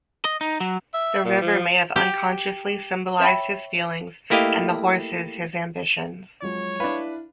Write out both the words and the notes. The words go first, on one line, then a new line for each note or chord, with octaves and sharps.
The river may have unconsciously symbolized his feelings and the horses his ambitions.
D#5
D#4
F#3
E5
A#2
F3
G4
C#5 E5 G5 B5
A3 A#3 E4 G4 D#5 F5
F3 F#3 G#3 C#5
D4 E4 B4 F5